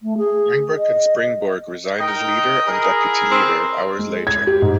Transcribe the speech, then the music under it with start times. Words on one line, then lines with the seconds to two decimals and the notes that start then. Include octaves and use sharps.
Langbroek and Springborg resigned as leader and deputy leader hours later.
0.03 A3
0.18 G#4
0.78 D#5
2.01 D#4 A#4 D#5 G5
2.66 E4 G#4 A#4
3.31 C4
3.99 G#3
4.27 G#6
4.47 G4
4.62 G#2